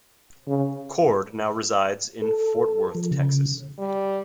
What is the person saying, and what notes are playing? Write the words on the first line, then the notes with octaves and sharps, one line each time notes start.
Cord now resides in Fort Worth, Texas.
C#3
A4
F3
C#3
G3